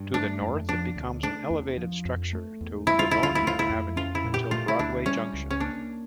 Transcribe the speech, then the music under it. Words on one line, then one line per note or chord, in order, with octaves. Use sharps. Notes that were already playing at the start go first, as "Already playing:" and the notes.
To the north, it becomes an elevated structure to Livonia Avenue until Broadway Junction.
Already playing: G2
A3 D4
F2
F3 D4
D2
A3 D4
E2
F3
F2
A3
E2
G3 E4
F4
D2 E4
F4
E4
A3 F4
E4
F2
C#4 F4
E4
A#2
G4
A3 F4
E4
D2 D4
G3 C#4
C#2
C#4
A#3 D4